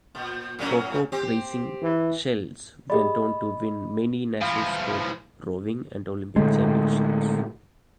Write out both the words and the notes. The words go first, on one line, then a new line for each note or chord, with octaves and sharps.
Pocock Racing Shells went on to win many national sport rowing and Olympic championships.
A#2
A2 F#3 C#4
C4 G4
E3
G4 G#4 D5 D#5 B5
E3 F3 F5
A2 D3 G#3